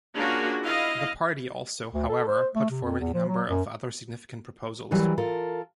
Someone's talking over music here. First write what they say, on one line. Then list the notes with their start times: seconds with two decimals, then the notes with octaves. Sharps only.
The party also, however, put forward a number of other significant proposals.
0.16 A#3 C#4 D4 F4 F#4 G#4
0.62 E4 D#5 F5
1.94 D2
2.09 A4
2.28 C5
2.55 A3
2.70 C3
2.83 F2
3.00 E2
3.14 F3
3.28 F#3
3.49 F#2
4.91 E3 F#3 G3 A#4
5.18 F4 A4 A#4